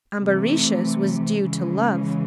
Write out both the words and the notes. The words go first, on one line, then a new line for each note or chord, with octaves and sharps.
Ambarisha's was due to love.
C3 E3 A3
C#3 E3 G#3